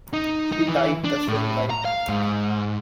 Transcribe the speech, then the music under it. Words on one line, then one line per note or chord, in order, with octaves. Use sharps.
He died the same night.
D#4
D#4
E3
D4
A2
A#5
F5
G#2